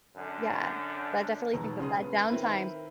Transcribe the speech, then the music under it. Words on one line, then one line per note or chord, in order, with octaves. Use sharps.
Yeah. But I definitely think that that downtime
F#2 D3
E1 B2 D#3 F#3 A#5
G1 C#3 G#4 C6 D#6
B3
D#3 C4 E4 A#4 B4